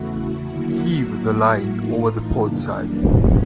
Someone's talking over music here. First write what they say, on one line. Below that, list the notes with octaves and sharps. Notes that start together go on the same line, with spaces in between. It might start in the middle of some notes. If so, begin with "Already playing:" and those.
Heave the line over the port side.
Already playing: E2 C#3 E3 A3 E4 F#4
D#2 D3 F#3 A#3
A2 F#3 A#3
A2 E3 A3 D#4 F4
F#2 C#3 E3 G3 A#3 D4
E2 B2 G#3 C#4